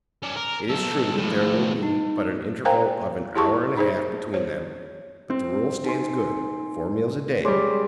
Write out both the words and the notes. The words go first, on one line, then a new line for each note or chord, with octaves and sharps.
It is true that there will be but an interval of an hour and a half between them, but the rule stands good--four meals a day.
C#4 D5
A#4
B1 A4
A2 F3
D#4
A#4 C5 F5 G5 G#5 A#5
E4 G4 G#4 A5 C6 C#6
D#4 G#4 C5
C5 C#5
C4
D#4 G#5 C6
G3 G#3 C#5 C6 D6